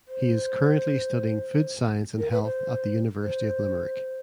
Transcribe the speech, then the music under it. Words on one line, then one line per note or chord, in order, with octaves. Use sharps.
He is currently studying food science and health at the University of Limerick.
C5
A#4
B4
C5
C5